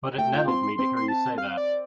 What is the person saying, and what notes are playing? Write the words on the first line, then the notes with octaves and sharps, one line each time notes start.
But it nettled me to hear you say that.
A3 G5
F4 G5
C4 C6
C6
C4 C6
C6
A5
F5
D5